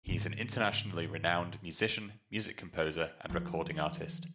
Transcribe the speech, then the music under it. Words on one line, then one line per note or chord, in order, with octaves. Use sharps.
He is an internationally renowned musician, music composer, and recording artist.
G#2 C#3
D#3 F3